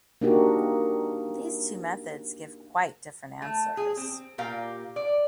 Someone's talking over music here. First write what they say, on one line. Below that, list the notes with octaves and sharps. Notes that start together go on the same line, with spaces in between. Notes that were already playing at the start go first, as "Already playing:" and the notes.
These two methods give quite different answers.
A#3 D4 D#4 F#4 G4
A3
G#4
C4
A#2 G4 A#4 F5
D5